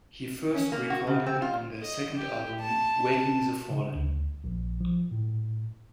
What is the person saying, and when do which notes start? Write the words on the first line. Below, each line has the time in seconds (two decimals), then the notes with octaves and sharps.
He first recorded on their second album "Waking the Fallen".
0.55 C#4
0.72 A#3
0.90 F#4
1.07 C#3
1.26 C4
1.42 F4
1.81 D#5
2.14 G4
2.61 A5
3.70 C#3
3.95 D2
4.44 A#1
4.81 F3
5.11 A2